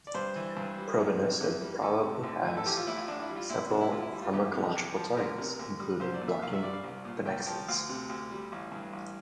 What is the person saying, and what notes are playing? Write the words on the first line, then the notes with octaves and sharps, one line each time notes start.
Probenecid probably has several pharmacological targets, including blocking pannexins.
D5
G2 C5
E3
G2
G3
E2
C3
E2
G3
D2 A4
C3
D2
E3
A4
A1 G4
F4
A2 E4
F4
A1 D4
E4
G3
F4
D2 E4
C3 D4
E4
D2 F4
E4
G3
F4
E2 G4
C3
E2
F3
D2 A#4
C3
D2
G3
C2 C5
D5
A#2
E5
C2 F5
E5
G3 D5
F5
C2
A#2
C2 G5
F3 G5
D2 F5
C3
D2
G3
A1
G2
A1